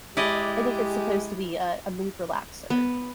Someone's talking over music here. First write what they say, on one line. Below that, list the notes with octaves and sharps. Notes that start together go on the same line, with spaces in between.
I think it's supposed to be a a mood relaxer.
G#3 E4 G4 D5 D#5
B3